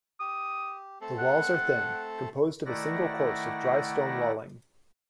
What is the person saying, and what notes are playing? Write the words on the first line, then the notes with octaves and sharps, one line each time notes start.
The walls are thin, composed of a single course of dry stone walling.
G4 D#6
A3 C4 A4
F#5
D#3 A3 E4 D5 F#5 A#6